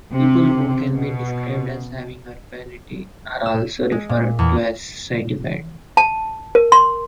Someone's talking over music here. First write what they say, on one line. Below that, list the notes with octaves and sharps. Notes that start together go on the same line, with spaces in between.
People who can be described as having urbanity are also referred to as citified.
C3
B2
E6
G#3
A#2
E2
A5
A#4
C6